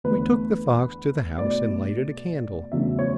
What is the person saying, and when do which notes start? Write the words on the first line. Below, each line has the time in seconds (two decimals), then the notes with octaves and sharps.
We took the fox to the house and lighted a candle.
0.04 E2 D3 A3 B4
1.38 B2 A3 D5
2.72 E2 C#3 F#3 A3 E5
2.99 C#5